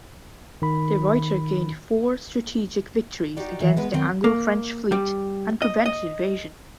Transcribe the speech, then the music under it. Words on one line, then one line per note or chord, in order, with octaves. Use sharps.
De Ruyter gained four strategic victories against the Anglo-French fleet and prevented invasion.
D#3 B5
D#4 F#4 G4 D5
D#3 E3
G#3 B3 B4
D#3 F#3 C4
A#3
G3
D#5
D#5